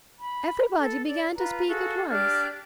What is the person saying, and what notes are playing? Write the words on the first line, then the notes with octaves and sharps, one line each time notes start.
Everybody began to speak at once.
B5
A4
D5
F4 B4 A#5
F#4 G#4 A4 F5
D4 G4 F6 G6